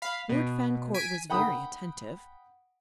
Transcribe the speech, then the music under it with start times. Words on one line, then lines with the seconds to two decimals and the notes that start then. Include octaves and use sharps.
Lord Fancourt was very attentive.
0.02 F5 B5
0.29 B2
0.94 G#5 B6 D7
1.30 F#5 G5 B5 D#6